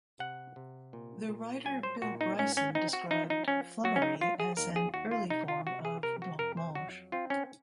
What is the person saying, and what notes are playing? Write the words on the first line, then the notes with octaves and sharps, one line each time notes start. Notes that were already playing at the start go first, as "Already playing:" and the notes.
The writer Bill Bryson described flummery as an early form of blancmange.
C3 F#5
C3
A#2
A#2
F#3 G#5
C5
A#2 F#4
D#4
G#2 C#4
C#4
C4 D#4
F#4
F3 D#4
D#4
F3 C#4
F#3 F#4
C#4
D#4
F#3 F4
G#4
D#2 A#4
G#4
D#2 F#4
F4
C3 D#4
F4
C3 F#4
G#4
C3 A#4
F#4
F2 A#4
C5
F#3 F#4
C4 F4
C#4